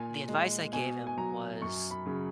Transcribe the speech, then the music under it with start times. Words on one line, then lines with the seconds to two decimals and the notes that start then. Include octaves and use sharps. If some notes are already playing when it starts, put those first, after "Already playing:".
the advice I gave him was,
Already playing: A#2 G#5
0.29 G#3
0.73 B2 G#5
1.07 G#5
1.17 F#3 A#5
1.62 F#2 C#6
1.91 B5
2.06 C#3 F#3